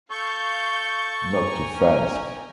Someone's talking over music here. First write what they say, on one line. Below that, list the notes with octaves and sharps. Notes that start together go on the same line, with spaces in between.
Not too fast.
A4 F5 C#6 G6
G5 G#5 A#5
C#4